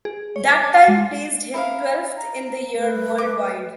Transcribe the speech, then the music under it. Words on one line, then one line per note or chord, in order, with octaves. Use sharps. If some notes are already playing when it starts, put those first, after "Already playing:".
That time placed him twelfth in the year worldwide.
G#4
C#5
D6
A5
G#3
E4 A#4 F5
A#5
A3 B4
D6